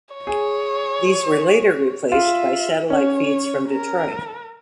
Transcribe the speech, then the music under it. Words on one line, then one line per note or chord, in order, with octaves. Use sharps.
These were later replaced by satellite feeds from Detroit.
C#5
G#4
F4 E5
C#4 C#5
A#4